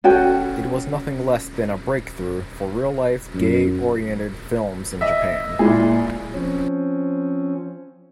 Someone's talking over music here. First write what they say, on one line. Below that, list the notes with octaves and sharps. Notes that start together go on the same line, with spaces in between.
It was nothing less than a breakthrough for real life gay-oriented films in Japan.
C#4 F#4 A4 G5
F#2
D#5 E5
A#2 G#3 E4 G#4
F3 C4 C#4